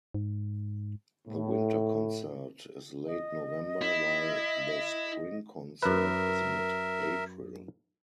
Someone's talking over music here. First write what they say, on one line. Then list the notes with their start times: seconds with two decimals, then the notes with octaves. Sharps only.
The winter concert is late November, while the spring concert is mid-April.
0.14 G#2
1.28 A2
3.06 D#5
3.81 E4
5.82 F#2 A#4 B4 E5